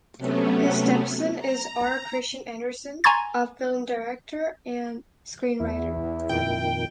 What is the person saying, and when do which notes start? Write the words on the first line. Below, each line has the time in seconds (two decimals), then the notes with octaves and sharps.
His step-son is R. Christian Anderson, a film director and screenwriter.
0.18 C3 F#3 A3 B3 C#4
1.38 A#5
3.04 G#5 A#5 C6 C#6 G#6 A6
5.60 E2 E4
6.29 F2 A#2 D#3 G5